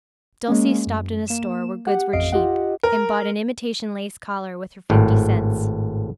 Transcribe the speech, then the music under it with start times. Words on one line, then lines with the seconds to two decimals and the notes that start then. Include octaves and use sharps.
Dulcie stopped in a store where goods were cheap and bought an imitation lace collar with her fifty cents.
0.48 G#3 A#3 C#4
0.87 F#2
1.28 A#3 E7
1.87 G4 F#5
2.13 A1 F2 D#5 F5 C7 D7
2.32 F4 G4 D#5 F#5
2.83 A#4
4.90 G#1 A2